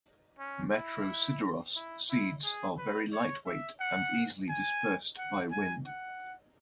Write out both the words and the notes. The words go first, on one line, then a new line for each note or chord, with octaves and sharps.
"Metrosideros" seeds are very light weight and easily dispersed by wind.
C#4
E4
E4
E4
G#4
B4
C#5
E5
F#5
G#5
F#5
G#5
F#5